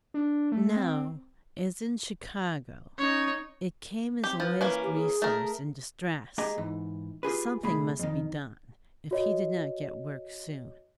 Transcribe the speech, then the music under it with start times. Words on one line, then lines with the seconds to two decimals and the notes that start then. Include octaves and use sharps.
Now, as in Chicago, it came as a last resource in distress. Something must be done if he did not get work soon.
0.14 D4
0.52 A3
0.76 C4
2.98 C#4 D#4 C#5
4.24 C4 G4
4.40 F3 B4
4.61 E3 A#3 C#4 F5
4.82 G4
4.94 G#4
5.22 A3 A#4
6.38 G#3 G4 G#4 D#5 A#5
6.58 G#2 E3
7.23 F4 G4 G#4 B4
7.63 C2 A3 G#4 B5
7.99 F2 D#3
9.11 F#4 C#5 D#5